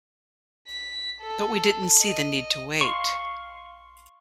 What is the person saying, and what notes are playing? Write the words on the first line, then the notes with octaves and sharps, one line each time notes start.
But we didn't see the need to wait.
B6
A4
D#5
F5 C6 C#6